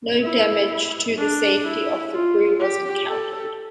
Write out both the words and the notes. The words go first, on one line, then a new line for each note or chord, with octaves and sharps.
No damage to the safety of the crew was encountered.
E4
D4
E4
F4
G4
A4